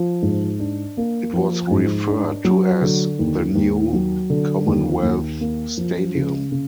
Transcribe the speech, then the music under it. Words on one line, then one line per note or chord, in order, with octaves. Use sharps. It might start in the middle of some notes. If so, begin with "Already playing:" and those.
It was referred to as "The New Commonwealth Stadium".
Already playing: F3
G#2
D4
A#3
F3
G#2
D4
F#3
D3
D#2
D#2
F#3
D3
D#2
D#2
A#3
F3
C#3
C#3